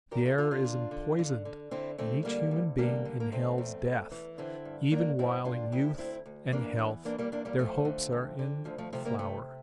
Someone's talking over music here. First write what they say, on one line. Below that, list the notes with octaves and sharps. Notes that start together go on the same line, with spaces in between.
The air is empoisoned, and each human being inhales death, even while in youth and health, their hopes are in the flower.
E2 G4 A#4
F4 A4
E2 F4 A4
D4 F4
D3
D3
D3
D3
D3 C4 E4
D3 A3 C4
D3 G3 A#3
D2
D3 G3 A#3
D3
A#3
E2 A3 C4
E2
E2
E3
D3 C4 E4
G2
G2 A#3 D4
G2 C4 E4
D3 D4 F4
D2 E4 G4
D2 C4 E4
D2
E3 A#3 D4
E2
E3 A#3 D4
G3 A#3
E2 A#3 D4
G3 A#3
F2 F3 A3
D3
F2
D3
D2 F3
F3 A3
C3 F3 A3
G3 A#3
C3 F3 A3